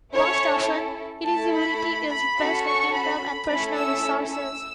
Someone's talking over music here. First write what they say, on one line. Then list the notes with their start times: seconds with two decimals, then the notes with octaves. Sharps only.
Most often, eligibility is based on income and personal resources.
0.13 C#4 E4 A4 C#5
1.25 A3 E4 A4 A5
1.54 B5
2.09 B5
2.38 C#4 F#4 A4
2.65 C#6
2.94 B5
3.49 A3 C#4 E4 A4 B5
3.77 E6
4.33 E6